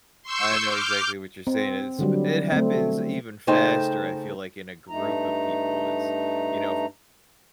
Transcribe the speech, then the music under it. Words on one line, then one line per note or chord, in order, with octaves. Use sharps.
I know exactly what you're saying. It's b it happens even faster, I feel like, in a group of people. It's you know, if
C6 C#6 E6 G6
D6 F6 G6
C4
D3 F#3 G3
A3 C4
C#3 A3 D#4 C5 G5 A5
G2 A3 D#4 A#5